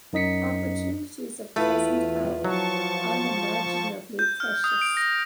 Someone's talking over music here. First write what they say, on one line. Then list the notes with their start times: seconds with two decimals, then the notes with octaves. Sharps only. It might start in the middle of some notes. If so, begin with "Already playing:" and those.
Opportunities of present hour unimaginably precious.
0.13 F#2 D#4 D#5 B6 C#7
1.56 E2 A3 E4 F4 B4
2.44 F3 F#3 A5 C#6
4.19 G6
4.40 F6
4.64 D#6
4.82 D7
4.97 A#6